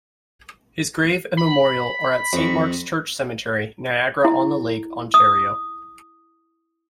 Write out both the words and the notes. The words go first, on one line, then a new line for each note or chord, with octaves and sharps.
His grave and memorial are at Saint Mark's Church Cemetery, Niagara-on-the-Lake, Ontario.
B5
F2 C#6
E4
D#6